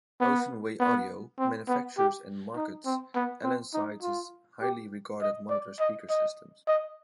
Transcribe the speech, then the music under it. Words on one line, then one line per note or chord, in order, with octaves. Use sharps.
Ocean Way Audio manufactures and markets Allen Sides' highly regarded monitor speaker systems.
B3
B3
C4
B3
G4
D#4
C4
B3
C4
D#4
F4
G4
D#5
D5
D#5
D#5
D#5